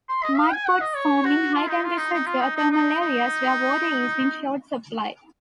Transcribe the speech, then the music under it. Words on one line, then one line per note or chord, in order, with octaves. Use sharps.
Mudpots form in high-temperature geothermal areas where water is in short supply.
C6
D#5
F5
G#5
F#5
D#5
C#5
F#4
F4
D#4
F4
D#4
D#4
F4
D#4
D#4
D#4
D#4